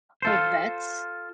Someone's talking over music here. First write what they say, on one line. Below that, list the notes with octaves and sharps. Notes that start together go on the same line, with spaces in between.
Oh, vets?
F4 A4 C5